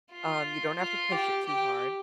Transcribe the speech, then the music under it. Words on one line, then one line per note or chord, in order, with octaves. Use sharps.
Um, you don't have to push it too hard.
F4
F4
G4
G4